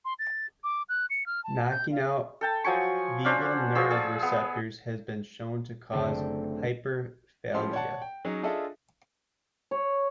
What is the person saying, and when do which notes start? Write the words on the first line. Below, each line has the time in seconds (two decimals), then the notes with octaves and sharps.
Knocking out vagal nerve receptors has been shown to cause hyperphagia.
0.05 C6
0.19 A6
0.64 D6
0.89 F#6
1.10 C#7
1.26 F6
1.44 A5
1.70 G6
1.91 F5
2.41 A4 G5 A5
2.64 F3 F#3 G#5 C#6
3.25 C#4 D4 C5
3.75 F3 G#4 C#6 E6
3.91 G#4 D5
4.22 B3
5.93 F#1 D3 A3 C4 G5
7.54 A2 F3 C#4 G4 C6
7.73 C#5 D5 F#5 A5
8.02 G5
8.25 F#3 C#4 D#4 G#4
8.43 D4 F4 G#4 A4 D#5 E5
9.71 C#5